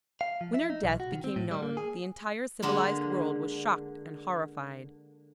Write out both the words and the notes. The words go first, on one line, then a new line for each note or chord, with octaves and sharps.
When her death became known, the entire civilized world was shocked and horrified.
F5
F3
E5
D#4
B1
F#4
D#3
C4
A2
G3
A#3
G#4
D3 G#3 A#3